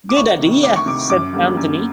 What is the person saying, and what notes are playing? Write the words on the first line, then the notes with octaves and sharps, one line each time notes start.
"Good idea," said Anthony.
D6
D2 C#6
C3 D#3
D2 D6
C#6
C3 D#3 D6
F#2 D6
D3 G3 A#3
F#2